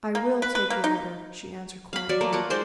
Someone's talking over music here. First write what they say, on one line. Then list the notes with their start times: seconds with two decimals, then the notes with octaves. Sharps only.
"I will take your letter," she answered, quietly.
0.15 A#3
0.42 B4
0.55 B4
0.70 A#3
0.84 D#4
1.93 F5 B5
2.09 F#3 D5
2.21 A3 A#3
2.33 A#3 F4 F#5
2.50 G#3 D#4 C5 D5